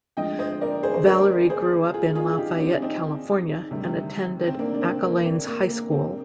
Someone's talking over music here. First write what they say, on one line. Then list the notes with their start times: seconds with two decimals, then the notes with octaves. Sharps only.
Valory grew up in Lafayette, California and attended Acalanes High School.
0.17 D2 D3 F3 G#3 D#5 G5
0.39 C5 D#5
0.61 A#4 D5
0.83 G#4 C5
0.94 C5
1.05 A#4 D5
1.50 G#4 C5
1.94 F4 G#4
2.15 F4 G#4
2.32 F4
2.38 D#4 G4
2.56 D4
2.60 C4
2.82 C4 D#4
3.71 D2 C3 D#3 G3
4.47 C4
4.59 A#3 D4
4.74 D4
4.81 C4
5.03 A#3
5.25 C4
5.47 A#3
5.70 A#3
5.91 C4